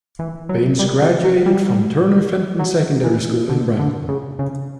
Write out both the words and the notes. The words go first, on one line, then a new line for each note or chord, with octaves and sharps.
Bains graduated from Turner Fenton Secondary School in Brampton.
E3
F#3
G3
F#3
F#3
G3
F#3
E3
D3
D3
C#3
C#3